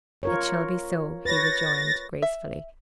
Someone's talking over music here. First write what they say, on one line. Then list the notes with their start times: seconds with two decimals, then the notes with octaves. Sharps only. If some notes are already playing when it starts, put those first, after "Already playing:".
"It shall be so," he rejoined, gracefully.
0.23 F4 A#4 C#5
1.25 B4 C#5 A6 A#6
2.22 E5